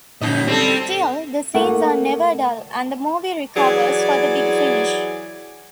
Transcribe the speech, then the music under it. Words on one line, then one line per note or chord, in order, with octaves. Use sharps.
Still, the scenes are never dull, and the movie recovers for the big finish.
F#2 A#2 D3 D#4 D#5
G3 C4 A4
A3 A#3 F#5
E3 F#3 G#4 D5